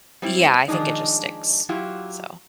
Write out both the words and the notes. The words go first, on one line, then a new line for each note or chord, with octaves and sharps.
Yeah, I think it just sticks, so
G3 C4 E4
D#3 F3 G#3 D4 D#4
F#3 E4 F4 G4